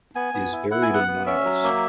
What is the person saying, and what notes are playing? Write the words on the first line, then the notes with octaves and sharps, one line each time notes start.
He is buried in Niles.
B3 G#5
B3
E4
E4 F#5
G#5
B3 F#5
B3
C#4 E5
F#3
A#3